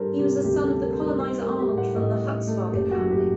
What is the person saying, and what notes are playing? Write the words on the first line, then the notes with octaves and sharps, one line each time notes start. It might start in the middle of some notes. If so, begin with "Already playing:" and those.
He was the son of the colonizer Arnold from the Huckeswagen family.
Already playing: G3 D4 A4 A#4 C5
C3 G4
D2 G4
G4
A4
D4
A#4
G3 C5
A#4
D#4 C5
A#4
A3
G4
A2
F#5
A1 D#5
D#4
A3
F#1 G4
F#4
F#3
G4